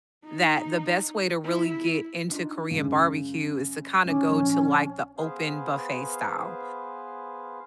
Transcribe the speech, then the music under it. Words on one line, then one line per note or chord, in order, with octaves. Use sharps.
that the best way to really get into Korean barbecue is to kinda go to, like, the open buffet style,
D#4
E4
D4 D#4 F4
F#2 C#3 G#3
B1 C#4 D6
A#1
B3 G#4 B4 C5 F5